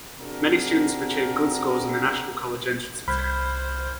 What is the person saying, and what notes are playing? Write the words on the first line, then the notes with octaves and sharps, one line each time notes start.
Many students have achieved good scores in the national college entrance exam.
C3 C4 D4 F#4 G#4 A#4
C2 C5 B5 F6 F#6 G#6